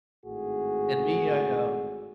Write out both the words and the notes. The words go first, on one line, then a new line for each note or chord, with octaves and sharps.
and me, I uh,
G#1 A2 F#4 G#4